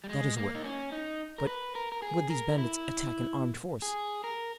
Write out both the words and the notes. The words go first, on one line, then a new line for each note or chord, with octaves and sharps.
"That is well: but would these bandits attack an armed force?"
G3
G#3
A#3
D#4
C#4
D#4
A#4
B4
A#4
A#4
G#4
A#4
E4
G#4
A#4